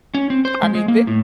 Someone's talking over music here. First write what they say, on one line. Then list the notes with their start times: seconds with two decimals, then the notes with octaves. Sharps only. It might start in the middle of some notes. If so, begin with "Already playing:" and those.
I mean, they
0.14 C#4
0.30 C4
0.45 C5
0.63 G#3
0.75 G#3
0.88 A#3
1.07 A2